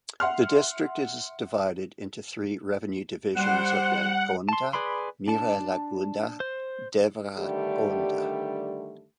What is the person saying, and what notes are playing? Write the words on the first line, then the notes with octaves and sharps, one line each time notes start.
The district is divided into three revenue divisions of Nalgonda, Miryalaguda, Devarakonda.
E5 F#5 C6 F6
G3 C5 F#5
A5 C6
G#4 B4 D5 B5 C6
D4 A5
C5
G2 D3 D#3 G3 A3 G4